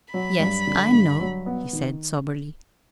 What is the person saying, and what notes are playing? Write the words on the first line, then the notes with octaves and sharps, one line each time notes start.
"Yes, I know," he said soberly.
F#3 B5
G2
D3
G2
F#3
B3
D#3